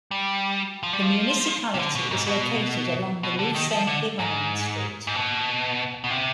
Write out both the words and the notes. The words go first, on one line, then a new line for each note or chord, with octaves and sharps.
The municipality is located along the Lucens-Yvonand street.
G3
F3
G3
F3
C3
D3
B2
G#2
B2
B2
D3
D#3
F3
D3
G#2
G#2
B2
B2
C3